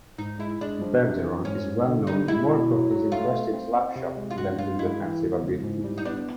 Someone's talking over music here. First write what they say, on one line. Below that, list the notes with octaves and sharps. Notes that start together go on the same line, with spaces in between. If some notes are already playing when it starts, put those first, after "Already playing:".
Bergeron is well known more for his impressive slapshot than his defensive abilities.
G#2 D#4
G#3 E4
G#3 D4
F3
C3
E3
G#2 C#4
G#2
D3
G3 D#4
G#3 E4
B2
F#3
F#3
A3 F4
A3
C4
C4
C3
G#3
F4
G2 F#4
G2 F4
G#3 E4
E3
C#2
C#2
G#2
G3
D#4
B3 D4